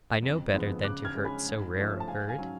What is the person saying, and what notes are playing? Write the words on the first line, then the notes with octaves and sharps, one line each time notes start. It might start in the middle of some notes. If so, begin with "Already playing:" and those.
I know better than to hurt so rare a bird.
F2
D3 F3 G#3 B3
C#3 D6 F#6
F6 G#6
G#3 C#4
G#5 B5
G#2
F3 A3 C#4
A5
G#2 F5 G#5
F5 G#5
F#3 C#4 G#5